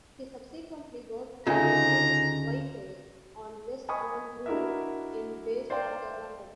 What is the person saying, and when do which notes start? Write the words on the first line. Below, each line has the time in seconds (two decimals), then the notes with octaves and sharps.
He subsequently worked for William Whiteley on Westbourne Grove in Bayswater, London.
1.47 D2 C#3 D#4 F4 A4 D#5 G#5 A#5
3.88 D#5 G#5 B5 C#6 D#6
4.46 D4 E4 F#4 A#4 D#5 E5
5.70 C5 D5 F5 G5 C6